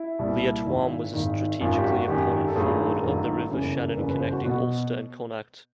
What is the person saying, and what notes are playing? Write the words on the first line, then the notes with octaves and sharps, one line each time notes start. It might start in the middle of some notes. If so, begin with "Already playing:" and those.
Liatroim was a strategically important ford of the River Shannon connecting Ulster and Connacht.
Already playing: E4
C2 A#2 G3
G#1 G#2 D#3
G#1 G#2 D#3
G#1 F#2 D#3 F4
G4
F#4
G#1 F#2 D#3 G4
A4
A1 G2 D#3 F#3 G#4
A#4
A1 G2 D#3 F#3 A4
G1 F#2 C#3 E3
A#4
G1 F#2 C#3 E3 B4
B4
C5
F#4
B2 F#4